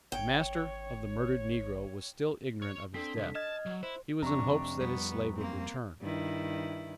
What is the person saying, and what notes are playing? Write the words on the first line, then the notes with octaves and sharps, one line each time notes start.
The master of the murdered negro was still ignorant of his death; he was in hopes that his slave would return.
G#1 C#5 G5
C#5
C4 D4 A4 B6
C2
D#5 A5 F6 G#6
F#3
E4 C5
F2 C3 D4 A#5 C#6
F2 G3 B3
A#3 C4
G2 D#3 E4